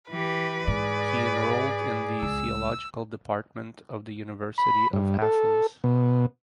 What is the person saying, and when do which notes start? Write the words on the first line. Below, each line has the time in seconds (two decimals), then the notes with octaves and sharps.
He enrolled in the Theological Department of the University of Athens.
0.10 E3 G4 B4
0.67 G#2 G#4 D5
2.22 C#2 E6
4.58 B5
4.93 G2
5.22 A4
5.84 B2